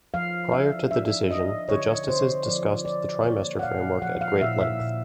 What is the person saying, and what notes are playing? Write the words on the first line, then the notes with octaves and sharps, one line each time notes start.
Prior to the decision, the justices discussed the trimester framework at great length.
F3 F5
D4 E5
D4 E5
D4 D#5
D3 C#5
D3 C5
F3 D5
F3 D5
A#3 C#5
F#5
A#2 F5
F3 F#5
F5
A#2 E5
E5
A#2